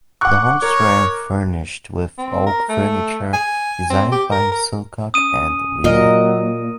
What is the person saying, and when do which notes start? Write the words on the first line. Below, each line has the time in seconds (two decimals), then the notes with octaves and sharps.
The homes were furnished with oak furniture designed by Silcock and Reay.
0.21 F#5 C#6 D6 F#6
0.62 A#4 C#5
2.18 C4
2.46 A#4
2.69 A3
3.33 G#5
3.90 C4
4.12 G4
4.32 A#4
4.51 A#4
5.14 C#4 D#6 D#7
5.84 A#2 F#3 A#4 D#5